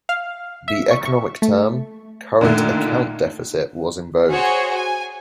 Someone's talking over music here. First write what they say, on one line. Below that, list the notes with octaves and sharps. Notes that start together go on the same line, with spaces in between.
The economic term "current account deficit" was in vogue.
F5
E5
C#6
C#6
A3
A#2 D3 D#3 A3
F#4 G#4 C5 C#5
G#5